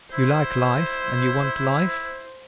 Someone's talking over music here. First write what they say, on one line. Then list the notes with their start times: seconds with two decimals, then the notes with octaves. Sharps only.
"You like life, and you want life?"
0.13 E4 C5